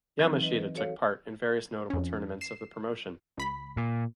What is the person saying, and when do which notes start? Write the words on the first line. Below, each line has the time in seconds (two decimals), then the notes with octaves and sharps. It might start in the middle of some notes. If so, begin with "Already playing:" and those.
Yamashita took part in various notable tournaments of the promotion.
0.19 E3 F#3 C4 D#4
0.43 B4 D#5
0.75 F#4 A4 C#5 F5
1.90 F2 C#4
2.41 C7 E7
3.37 C#2 B5 B6
3.77 A#2